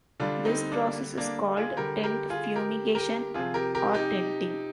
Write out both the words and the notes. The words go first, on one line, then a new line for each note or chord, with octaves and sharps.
This process is called tent fumigation or "tenting".
D3 G3 D4 F4
C4 D#4
A#3 D4
A#3 D4
F4 G#4
D3 G3 G4 A#4
G4 A#4
F4 G#4
G4 A#4
G4 A#4
C3 F3 F4 G#4
G4 A#4
G4 A#4
D#4 G4